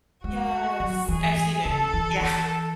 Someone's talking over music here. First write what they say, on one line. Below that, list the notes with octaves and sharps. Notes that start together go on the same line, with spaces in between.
Yes, I've seen it. Yeah.
G#3 F#4
F#3
E3 G#4
C#3 A4
E3
E3 A4